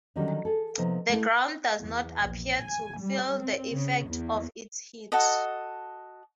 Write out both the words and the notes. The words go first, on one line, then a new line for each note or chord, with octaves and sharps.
The ground does not appear to feel the effect of its heat.
D3 D#3 F#3 G3 C#4
G#4 A4
C3 F3 A#3 B3 D#4
A3 E4
E2
A#1
G#5
G3
C4
C#3
E2
F#4 A4 D#5